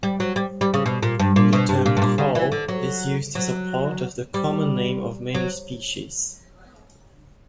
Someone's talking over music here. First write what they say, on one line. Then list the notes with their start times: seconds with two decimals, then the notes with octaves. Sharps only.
The term "crow" is used as part of the common name of many species.
0.03 G3
0.20 F#3
0.36 G3
0.61 G3
0.74 C#3
0.86 B2
1.03 A#2
1.19 G2
1.36 A#2
1.53 B2
1.69 G2
1.86 A#2
1.97 G2
2.02 A#2
2.18 C#3
2.35 E3
2.52 D3
2.68 F#3
3.35 F#3
4.34 G3
5.34 F#3